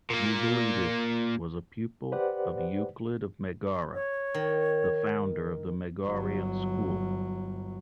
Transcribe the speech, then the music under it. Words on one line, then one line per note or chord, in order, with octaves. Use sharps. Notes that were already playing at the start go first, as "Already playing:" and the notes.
Eubulides was a pupil of Euclid of Megara, the founder of the Megarian school.
A#2 A#3
G4 B4 C5 D5 F#5
C#5
D#3
G1 F#3